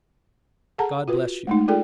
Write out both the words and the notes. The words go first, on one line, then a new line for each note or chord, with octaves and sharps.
God bless you!
G#4 A4 F#5 A5 A#5
F4 F#4 B4
G#3 A3 D#4
F4 G#4 A4 D5 G5